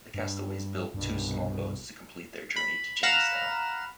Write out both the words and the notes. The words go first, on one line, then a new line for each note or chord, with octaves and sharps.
The castaways built two small boats to complete their journey to Jamestown.
G2
C2 G2 B2
B5
F5 F#5 A#5 B5 F6 E7